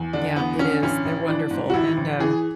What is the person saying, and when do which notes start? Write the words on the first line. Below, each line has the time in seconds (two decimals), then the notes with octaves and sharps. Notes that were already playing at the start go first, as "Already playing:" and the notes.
Yeah. It is. They're wonderful, and, um,
Already playing: E2
0.13 D3 D4
0.36 E2 B3
0.59 D3 C#4
0.82 A1 C#4
1.05 A1
1.28 E3 D4
1.51 G#2
1.70 F#4
1.73 A1 E4
1.97 A1
2.19 E3 G#4